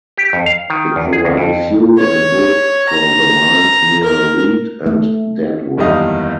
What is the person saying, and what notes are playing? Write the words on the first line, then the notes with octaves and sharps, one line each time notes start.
It provided fuel and wood for the mines near Lead and Deadwood.
G4
F2
F5
D#3
E2
G#4
D2
F2
C#5
A#5
A#4
A3
F#1 E2 D#3 G3 D#5 F5